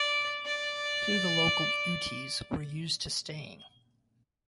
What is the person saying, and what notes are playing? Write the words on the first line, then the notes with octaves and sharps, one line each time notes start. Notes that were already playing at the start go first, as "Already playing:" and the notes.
Here the local Utes were used to staying.
Already playing: D5
D5